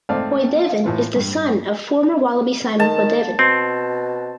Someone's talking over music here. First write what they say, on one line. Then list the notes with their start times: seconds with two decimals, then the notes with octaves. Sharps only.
Poidevin is the son of former Wallaby Simon Poidevin.
0.09 G#1 A3 C4 D5 F5
0.84 A2 E3 F4
1.16 G2
2.80 D#3 A5
3.39 B2 C4